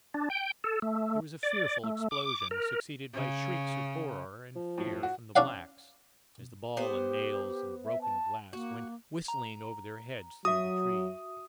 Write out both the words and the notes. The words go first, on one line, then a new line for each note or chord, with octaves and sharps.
There was a fearful explosion, succeeded by shrieks of horror and fear from the blacks, as the ball and nails and broken glass went whistling over their heads through the trees.
D4
G5
A4
A3
D5
A3
D6
A#4
C#3
F3
A2
F#4
C#4 D4 D5 F5 F#5
B3 G4 C5
E5
A5
A#3 F#4
A#5
F#3 F#4 E5 D#6